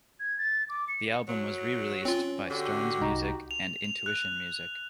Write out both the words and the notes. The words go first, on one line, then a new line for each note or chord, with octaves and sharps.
The album was re-released by Stern's Music and Intuition Music.
G#6
A6
D6
C#7
F#3
C4 C#4 F4
D3 F#4 G4
C2 D#4 A#5
F7
F7
F#6